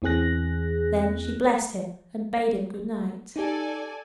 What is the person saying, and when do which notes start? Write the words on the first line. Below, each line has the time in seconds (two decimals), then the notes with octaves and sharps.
Then she blessed him, and bade him good-night.
0.02 E2 E3 C4 G#4 F#6 A#6
3.36 D#4 G4 A4 D5 G#5